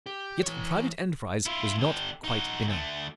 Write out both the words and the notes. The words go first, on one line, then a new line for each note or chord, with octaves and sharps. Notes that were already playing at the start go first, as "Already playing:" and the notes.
Yet private enterprise was not quite benumbed.
G4
E3 C#5
E4 F4
D3 G4
D#4 F#4
D2 A3